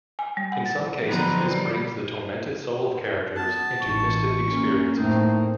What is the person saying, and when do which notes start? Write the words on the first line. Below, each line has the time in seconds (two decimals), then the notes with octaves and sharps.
In some cases this brings the tormented soul of characters into mystic experiences.
0.19 G#5
0.37 G3
0.52 F#5
0.66 A6
1.07 D3 F3 F#3 B3 C4 D#4
1.49 G3
3.36 B3 A5
3.81 A1 C#6
4.49 A#3 C#4
4.96 A2 A3 C4 D#4